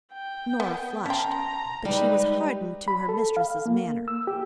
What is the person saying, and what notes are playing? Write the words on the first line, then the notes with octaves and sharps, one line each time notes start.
Norah flushed; but she was hardened to her mistress's manner.
G5
B3
C#4 G5 A5 A#5 C6
G3 G#3 D#4 G4 B4
B5
A4
F5
A#3
E6
G4